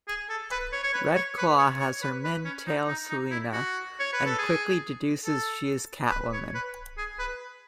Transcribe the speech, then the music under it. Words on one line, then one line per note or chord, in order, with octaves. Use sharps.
Red Claw has her men tail Selina and quickly deduces she is Catwoman.
G#4
A4
B4
C#5
C#5
B4
C#5
B4
C#5
C#5
B4
B4
C#4
D#4
D#4
D#4
E4
F#4
C#5
B4
A4
G#4
A4
B4
C#5
B4
G#4
B4